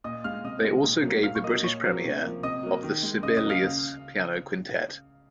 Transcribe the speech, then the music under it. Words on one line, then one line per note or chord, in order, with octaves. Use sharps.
They also gave the British premiere of the Sibelius piano quintet.
A#2 D#5 D#6
G#3 F5 F6
C3 D#5 D#6
D#3 G#3
A#2
F#3 A#3
A#2 F5 F6
C#6
F#3 A#3 D#5 D#6
A#2 C#5 C#6
F#3 A#3
C3
F3 A#3
C3 D#5 D#6
F#3 A#3
D#3
G#3
C#3 D#5 D#6
D#5 D#6
F#3 A#3
F5 F6
C#3